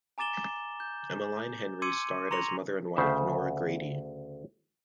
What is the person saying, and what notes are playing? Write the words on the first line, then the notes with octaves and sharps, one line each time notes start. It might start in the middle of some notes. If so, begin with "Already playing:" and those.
Emmaline Henry starred as mother and wife, Nora Grady.
G#5 A#5 D6 A6 E7 G7
G6
C6 D6 E6 G#6 C#7 D#7
A#5 C6 C#6 A#6 C#7 F7
D2 C#3 C5 E5